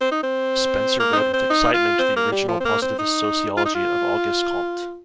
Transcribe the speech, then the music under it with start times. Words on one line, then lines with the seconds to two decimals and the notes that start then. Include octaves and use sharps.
Spencer read with excitement the original positivist sociology of Auguste Comte.
0.01 C4
0.11 D#4
0.23 C4
1.00 A#3
1.13 D#4
1.16 C4
1.33 C4
1.50 D#4
1.74 F4
1.99 C4
2.16 A#3
2.32 G3
2.48 F3
2.60 C4
2.65 A#3
2.82 C4
2.99 D#4
3.57 F4
3.65 D#4
3.75 F4